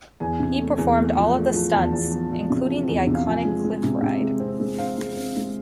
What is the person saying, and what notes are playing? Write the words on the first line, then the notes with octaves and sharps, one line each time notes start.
He performed all of the stunts, including the iconic cliff ride.
E2 G#5
C3
A3
E2
A3
F3
A3
F3
E2 A5
E2
F3
F3
C3
F3
E2
C3
F5
F3 G#5
G#3
G#3
C3
C3
G#3
C4
G#3
C4 F5
G#3
C4
G#3